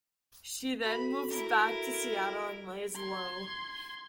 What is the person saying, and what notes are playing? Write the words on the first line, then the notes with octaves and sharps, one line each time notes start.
She then moves back to Seattle and lays low.
F#4 A4 B5
E4 A#4
C6 G#6